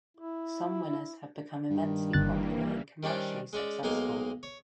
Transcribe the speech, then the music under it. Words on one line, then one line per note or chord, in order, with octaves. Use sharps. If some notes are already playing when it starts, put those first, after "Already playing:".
Some winners have become immensely popular and commercially successful.
E4
G2 D#3
G1 E3 G3 A#3 F#6 A6
D#3 G3 C#4 D4 C5
G#3 C#4 D5
B1 G#3 A#3 D#4 F5 G#5
C#5